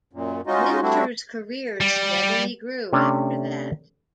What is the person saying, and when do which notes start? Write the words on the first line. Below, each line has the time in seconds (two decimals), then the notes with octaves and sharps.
Minter's career steadily grew after that.
0.13 F#2 A#2
0.47 G#3 C#4 D#4 F4 F#4 D#5
0.82 G3 A3 C4 D4 E4 F#4
1.81 G3
2.93 C3 A3 C#4 D4